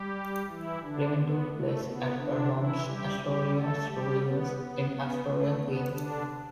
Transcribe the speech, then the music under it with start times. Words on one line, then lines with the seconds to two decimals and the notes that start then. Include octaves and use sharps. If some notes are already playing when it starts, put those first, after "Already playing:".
Filming took place at Paramount's Astoria Studios in Astoria, Queens.
Already playing: G3 G4
0.48 E3 E4
0.82 D3 D4
1.17 B3
1.50 A3
1.85 B3
2.18 D3 D4
2.53 E3 E4
2.87 G3 G4
3.20 G3 G4
3.55 A3 A4
3.88 G3 G4
4.23 B3
4.57 B3
4.90 B3
5.24 A3
5.58 B3
5.92 D3 D4